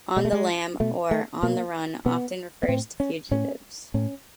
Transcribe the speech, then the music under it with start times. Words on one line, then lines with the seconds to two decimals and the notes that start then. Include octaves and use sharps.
"On the lam" or "on the run" often refers to fugitives.
0.17 B2 G#3
0.25 A3
0.33 G#3
0.80 B2 A3
1.11 A3
1.43 B2 A#3
2.05 B2 B3
2.63 B3
2.68 A2 C4
3.00 C#4
3.31 A2 C#4
3.94 A2 C#4